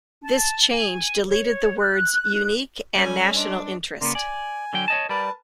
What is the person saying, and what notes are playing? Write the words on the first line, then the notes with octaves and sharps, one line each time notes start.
This change deleted the words "unique" and "national interest".
A5
G#5
C#5
F#6
G3 C#4 A4 C#5 G#5 G6
D4 D#5 C6
C#3 A#3 B3 A#4 D5 C6
D5 G#5
D3 F#3 G5
C#5 D#5 A5
G3 A#4 B4 D5 A5